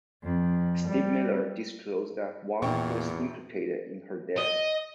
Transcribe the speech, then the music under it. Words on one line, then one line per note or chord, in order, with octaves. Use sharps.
Steve Miller disclosed that Hwang was "implicated" in her death.
F2
G3
A#1 E2 A#2 G5 C#6
D#5